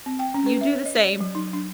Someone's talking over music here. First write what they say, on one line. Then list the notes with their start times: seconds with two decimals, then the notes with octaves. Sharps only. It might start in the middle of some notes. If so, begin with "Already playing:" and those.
You do the same.
0.06 C4
0.19 G5
0.34 C#4
0.46 B4
0.61 E5
0.73 C#5
0.86 D#5
1.04 D5
1.20 F#3
1.35 D#4
1.53 D4